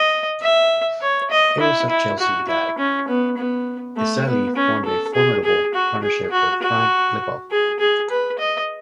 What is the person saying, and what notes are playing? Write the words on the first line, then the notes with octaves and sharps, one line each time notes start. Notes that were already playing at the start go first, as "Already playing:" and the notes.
It was at Chelsea that Desailly formed a formidable partnership with Frank Leboeuf.
Already playing: D#5
E5
C#5
D#5
E4
E4
F#4
E4
C#4
B3
B3
A3
B3
C#4
A4
G#4
G#4
F#4
G#4
F#4
F#4
G#4
G#4
B4
D#5